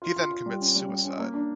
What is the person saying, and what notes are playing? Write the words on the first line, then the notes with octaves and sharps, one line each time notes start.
He then commits suicide.
F4
F4
F4
G3
C#4
G3
G3
C#4
A#3
D4